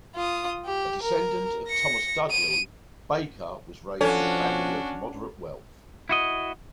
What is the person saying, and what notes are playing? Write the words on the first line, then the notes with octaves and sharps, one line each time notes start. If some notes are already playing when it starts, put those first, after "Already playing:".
A descendant of Thomas Dudley, Baker was raised in a family of moderate wealth.
F4 D#6
G4
A#4
A#6 C#7
D7 D#7
F3 C#4 D4 F#4 A4
E4 F#4 D#5